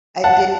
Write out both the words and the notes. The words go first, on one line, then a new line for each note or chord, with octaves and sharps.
I did
F#5 A5